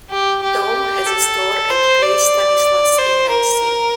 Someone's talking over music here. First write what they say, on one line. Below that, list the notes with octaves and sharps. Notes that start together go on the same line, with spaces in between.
Daum has a store at Place Stanislas in Nancy.
G4
G4
A4
C5
D5
C5
A#4